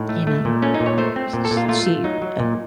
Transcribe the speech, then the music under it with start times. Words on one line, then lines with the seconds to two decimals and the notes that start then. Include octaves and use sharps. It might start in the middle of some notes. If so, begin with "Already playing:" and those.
you know, uh, sh sh she a
Already playing: A2 D#4
0.09 A3
0.27 A3
0.45 A#2
0.62 A3 C#4
0.74 D#4
0.80 A#2
0.86 C#5
0.98 A3 C5
1.16 C4
1.33 A#2
1.45 A4
1.51 A#2
1.57 F4
1.68 A3 F4
1.86 A3
2.04 F#3 D#4
2.22 F#3
2.40 A#2